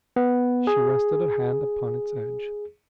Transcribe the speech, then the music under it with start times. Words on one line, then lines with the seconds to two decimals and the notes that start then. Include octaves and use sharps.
She rested a hand upon its edge.
0.16 B3
0.67 G#4